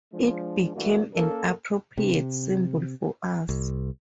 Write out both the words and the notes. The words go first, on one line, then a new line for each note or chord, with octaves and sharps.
It became an appropriate symbol for us.
F3 G#3 D4
G2 E3 A3 A#3 D4 F#4
A#3 C#4 A4 A#4
C3
C2